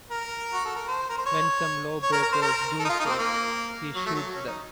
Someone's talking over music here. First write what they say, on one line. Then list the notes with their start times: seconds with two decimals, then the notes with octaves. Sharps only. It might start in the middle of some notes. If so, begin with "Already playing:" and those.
When some lawbreakers do so, he shoots them.
0.11 A#4
0.53 F#4
0.65 A4
0.76 A#4
0.88 C5
1.09 A#4
1.18 C5
1.26 C#5
2.03 C#5
2.12 A#4
2.22 A#4
2.32 C5
2.42 A#4
2.80 A4
2.85 D#4
2.89 F4
3.00 D#4
3.06 A#3
3.09 C4
3.19 A#3
3.96 F#3
4.06 A3
4.15 F#3
4.35 C#4
4.48 D#4